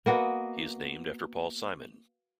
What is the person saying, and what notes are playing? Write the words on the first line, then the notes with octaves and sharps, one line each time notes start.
He is named after Paul Simon.
A#3 B3 F#4 D#5